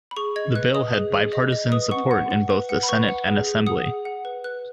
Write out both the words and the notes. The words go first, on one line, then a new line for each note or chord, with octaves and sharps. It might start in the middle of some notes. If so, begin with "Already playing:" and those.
The bill had bipartisan support in both the Senate and Assembly.
B5
G#4 C#6
D#5 G#6
B4 F#6
D#5 D#6
G#4
G#4
D#5
D#5
B4 D#6
F#5 C#6
F#5
F#5
B4
F#5
B5
B4 C#6
F#5
G#4
G#4
F#5 D#6
G#4
F#5
B4
B4 F#6